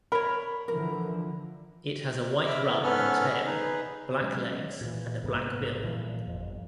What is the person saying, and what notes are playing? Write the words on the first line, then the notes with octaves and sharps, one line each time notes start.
It has a white rump and tail, black legs and a black bill.
A#4 C#5 B5
D3 E3 F3 A#4
D#5 E5 B5 D6 E6 F6
B3 C#4 E4 A#4
G#2 B3 C#4 A4 B4 F6
D#4 G#4 B4
B2 F#3 G#3 C#4
A#2 E3
A#1 G#2 C3 B3
A#2 E3 F3 G3
G1 F2